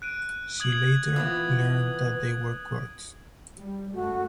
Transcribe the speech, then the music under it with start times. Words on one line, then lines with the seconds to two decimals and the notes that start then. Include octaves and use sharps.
She later learned that they were Kurds.
0.02 F#6 D7 D#7
0.60 D#6 G#6 F#7
1.16 E3 F3 B3 D#6
3.57 G3
3.94 F#2 A3 F#4